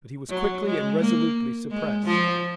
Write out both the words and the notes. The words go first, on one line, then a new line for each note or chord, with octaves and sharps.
But he was quickly and resolutely suppressed.
F#3
G#3
A#3
G#3
F3